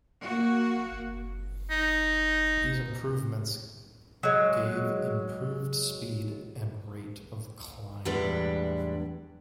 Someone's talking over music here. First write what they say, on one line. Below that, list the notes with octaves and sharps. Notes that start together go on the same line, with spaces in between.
These improvements gave improved speed and rate of climb.
A#3 F#4
D#4
F#3 G#3
E2 A2 G3 G#3 D4 B4